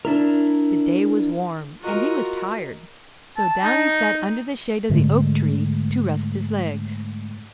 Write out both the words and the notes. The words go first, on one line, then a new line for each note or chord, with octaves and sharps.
The day was warm, and he was tired; so down he sat under the shade of the oak-tree to rest his legs.
D4 E4 A#4
F4 F#4 A#4 D#5
A5
D#4
G#2 D3 G#3 A3